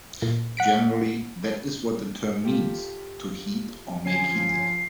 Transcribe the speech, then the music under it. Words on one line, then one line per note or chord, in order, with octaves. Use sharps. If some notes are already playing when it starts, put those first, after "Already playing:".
Generally, that is what the term means: to heat, or make heated.
A#2
F#5 B6 D7
F4 G4 A4
G1 F3 C#4 G#5 C7